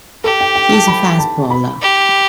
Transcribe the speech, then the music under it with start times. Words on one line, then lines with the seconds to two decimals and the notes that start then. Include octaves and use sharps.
He is a fast bowler.
0.24 G4 A4
0.41 G5
0.55 G5
0.72 A5
0.87 B5
1.19 A5
1.50 B5
1.82 G4